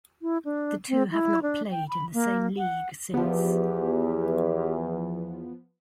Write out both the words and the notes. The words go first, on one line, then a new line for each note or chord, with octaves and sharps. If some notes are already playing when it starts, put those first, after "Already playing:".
The two have not played in the same league since.
E4
D4
C4
E4
D4
G5
B5
A#3
F#5
E2 F3 B3 G4